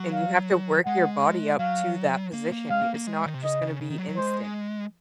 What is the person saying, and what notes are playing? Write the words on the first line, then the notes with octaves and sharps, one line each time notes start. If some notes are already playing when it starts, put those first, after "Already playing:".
and you have to work your body up to that position. Y it's not just gonna be instant.
Already playing: F#3
F5
G#3 F#5
F#3 F5
A#3
A#3
G#3 F5
A#3
A#3
G#3
D#3
C3
C#3 D#5
C#3
C#3
D#3
F#3
F#3
G#3 C5